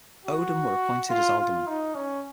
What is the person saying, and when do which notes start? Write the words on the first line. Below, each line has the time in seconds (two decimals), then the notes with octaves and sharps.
Odum were appointed as aldermen.
0.26 F#4
1.10 F4
1.38 F4
1.67 D#4
1.95 C#4